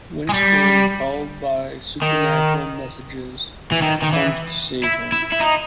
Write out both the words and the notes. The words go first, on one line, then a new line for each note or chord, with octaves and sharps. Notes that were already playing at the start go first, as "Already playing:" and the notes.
Winston, called by supernatural messages, comes to save him.
G#3
G3
D#3
E3
D#3
D#3
E3
E4
E4
E4
D#4